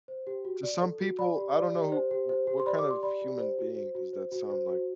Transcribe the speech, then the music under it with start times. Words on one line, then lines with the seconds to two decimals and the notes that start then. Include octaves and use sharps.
To some people, I don't know who wh what kind of human being does that sound like
0.08 C5
0.27 G4
0.45 F#4
0.63 D5
0.82 A4
1.00 F#4
1.19 D5 B5
1.37 G4
1.55 D5
1.74 G4
1.92 C5
2.11 G4
2.29 C5
2.47 G4
2.60 C6
2.66 D5 B5
2.79 D6
2.84 G4
2.91 C6
3.03 D5 B5
3.22 G4
3.39 C5
3.59 F#4
3.76 C5
3.95 F#4
4.13 C5
4.32 F#4
4.50 C5
4.69 F#4